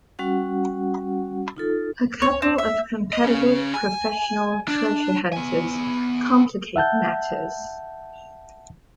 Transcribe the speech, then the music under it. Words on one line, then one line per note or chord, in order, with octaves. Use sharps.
A couple of competitive professional treasure hunters complicate matters.
G3 C#4 F#4 F#5
D#4 F4 A4
C#5
C4
E5
D#5
C#4 G#4
G#5
D4
B3 G#5
E5 F#5 A5 G6